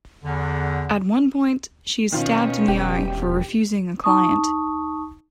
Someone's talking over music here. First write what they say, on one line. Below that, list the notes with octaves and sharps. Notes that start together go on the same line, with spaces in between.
At one point, she is stabbed in the eye for refusing a client.
E2 D3
B2 D#3 C#4 F4
E1 G4
D#4 A5 C#6 D#6